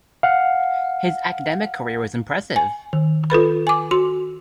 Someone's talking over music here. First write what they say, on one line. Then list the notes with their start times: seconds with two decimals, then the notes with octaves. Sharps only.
His academic career was impressive.
0.23 F5 F#5
2.56 G#5
2.93 D#3
3.30 F4 A4 B4 B5
3.67 G#5 D6
3.91 F#4 C6